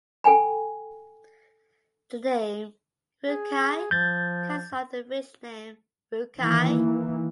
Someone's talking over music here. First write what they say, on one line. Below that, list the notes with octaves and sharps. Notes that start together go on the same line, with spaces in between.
The name "Rukai" comes from the village name "Rukai".
A4 G5 G#5 B5
G#4
F3 G6 A6
D#3 E3 A#3